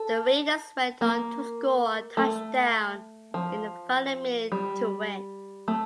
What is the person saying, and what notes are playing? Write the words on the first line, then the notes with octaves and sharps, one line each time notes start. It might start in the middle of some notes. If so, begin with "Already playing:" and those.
The Raiders went on to score a touchdown in the final minute to win.
Already playing: A4
A#3
A3
F3
G3
A3